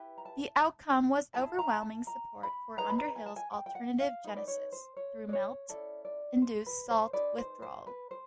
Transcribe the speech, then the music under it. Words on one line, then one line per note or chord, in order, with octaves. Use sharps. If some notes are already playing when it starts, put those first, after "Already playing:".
The outcome was overwhelming support for Underhill's alternative genesis through melt-induced salt withdrawal.
Already playing: E4 G4 B4
A#5
A5
E4 G#4 B4 A5
A#5
A5
A#5
B5
D#4 G#4 B4 A#5
B5
A#5
G#5
A5
G#5
G5
G5
F#5
F5
D#4 G#4 B4
D5
C#5
C5
C#5
D5
C#5
C#4 E4 A4 D5
D5
C5
B4
C5
D#4 G#4 B4 D5
C5
C5
B4
C5